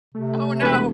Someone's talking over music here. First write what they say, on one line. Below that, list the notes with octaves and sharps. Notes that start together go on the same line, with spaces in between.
Oh, no!
C3 A3
E1 B4